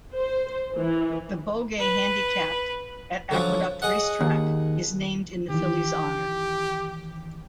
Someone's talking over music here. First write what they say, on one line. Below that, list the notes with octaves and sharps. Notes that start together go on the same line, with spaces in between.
The Beaugay Handicap at Aqueduct Racetrack is named in the filly's honor.
C5
E3
B4
D3 F3 F#3
G#4 D#5 F#5
D#2
D#3 E3 G4